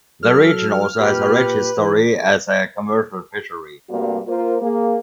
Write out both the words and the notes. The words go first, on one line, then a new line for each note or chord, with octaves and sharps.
The region also has a rich history as a commercial fishery.
F#3 A4 F6
A#2 G4 B4
E3
G2 C3 G3 A3 A#3 F#4
A#3 F4 A#4 C5
A#3 G#4